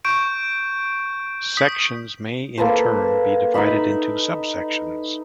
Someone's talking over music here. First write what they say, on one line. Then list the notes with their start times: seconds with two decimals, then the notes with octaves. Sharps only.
Sections may in turn be divided into subsections.
0.05 C#6 G6 D7
1.57 D#6 B6
2.58 A#3 A4 B4 C5
3.54 D#4 D#5 E5 B5